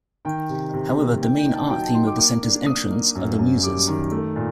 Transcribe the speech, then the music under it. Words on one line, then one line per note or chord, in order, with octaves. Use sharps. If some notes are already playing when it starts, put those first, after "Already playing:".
However, the main art theme of the Center's entrance are "The Muses".
D#3 G5
C3
C3
A#3
D#4 G5
G5
D#4
A5
F#3 G5
A5
D#4 C6
D6
A#3 D6
D4
A#3 D#6
A#3
F#2
F#2
G3 D6
D#3
A3
A#2